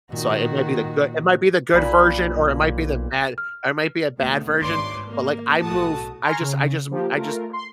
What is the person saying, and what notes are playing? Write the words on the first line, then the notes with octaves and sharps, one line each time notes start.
So, it might be the good it might be the good version or it might be the bad or it might be a bad version, but, like, I move I just I just m I just,
A#2 D#3 F#4
B1 A#2 A#3 B5
F6
D2 B2
G#1 D4 B4 C#5 C6 D6
A#3
B1 A2 A3 F#4 A5 D#6
G#5 A#5 C6 C#6 F6
C#3
F3 A#3 G4
A3 F4 A#4
C6